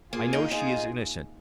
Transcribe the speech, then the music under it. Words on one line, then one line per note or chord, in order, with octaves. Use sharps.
I know she is innocent.
A#3 F4 G#4
D#4
D#4 F4 G#4